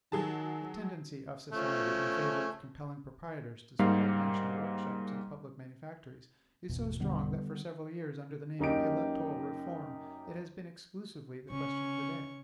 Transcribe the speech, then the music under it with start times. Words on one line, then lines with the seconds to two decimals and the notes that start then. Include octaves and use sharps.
The tendency of society in favor of compelling proprietors to support national workshops and public manufactories is so strong that for several years, under the name of ELECTORAL REFORM, it has been exclusively the question of the day.
0.12 D#3 F#3 G#4 A5
1.51 F3 A3 C#4
3.79 G#2 G3 A#3 F5
6.69 G#1 E2 B2
7.00 D3 G3 B3
8.59 F#2 A#3 D#4 G4 D7
11.50 C#3 C#4 C#6